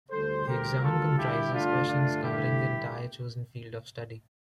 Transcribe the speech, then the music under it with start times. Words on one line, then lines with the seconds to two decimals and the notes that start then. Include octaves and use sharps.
The exam comprises questions covering the entire chosen field of study.
0.11 D2 D3 G3 A4 C5
0.46 G4 A#4
0.81 F4 A4
1.17 E4 G4
1.51 G2 D3 A3 D4 F4
1.87 D4 F4
2.22 E4 G4